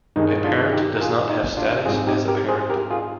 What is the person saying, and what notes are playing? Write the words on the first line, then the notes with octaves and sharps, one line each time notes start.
A parent does not have status as a parent.
G2 D#3 G#3 D#4
D4 F4
D#4 G4
A#4
F4 G#4
D#4
D4 F4
G#2 G3 C4 F4 G#4
D#4 G4
G4 A#4
G#4 C5
G4 A#4
F4 G#4